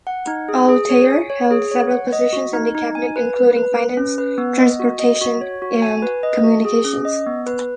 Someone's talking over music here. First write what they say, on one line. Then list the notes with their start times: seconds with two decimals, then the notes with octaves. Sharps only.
Al Tayer held several positions in the cabinet including finance, transportation and communications.
0.07 F#5
0.27 D#4
0.49 G#4
0.69 G#4
0.89 C#5
1.10 G#5
1.30 C#5
1.51 G#4
1.71 C#5
1.91 F#5
2.12 D#5
2.33 F#4
2.53 D#4
2.75 D#4
2.95 G#5
3.16 B4
3.36 B4
3.57 B4
3.77 B4
3.97 C#4
4.18 B4
4.38 B3
4.59 D#5
4.80 F#4
4.99 D#5
5.21 F#4
5.41 C#5
5.62 F#4
5.82 G#5
6.02 B4
6.23 D#5
6.44 F#4
6.65 G#4
6.85 C#4
7.05 D#5
7.26 B3
7.47 B4